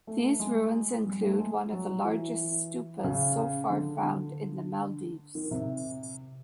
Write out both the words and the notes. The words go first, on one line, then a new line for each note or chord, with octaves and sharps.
These ruins include one of the largest stupas so far found in the Maldives.
A3
G#3
G3
A3
G#3
F#3
E3
C#3
D3
D3
D#3
C3